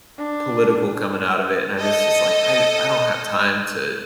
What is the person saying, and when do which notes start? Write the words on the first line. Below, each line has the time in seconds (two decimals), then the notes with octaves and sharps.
political coming out of it, and I just it's like, I I don't have time to
0.18 D4
1.79 A4 D#5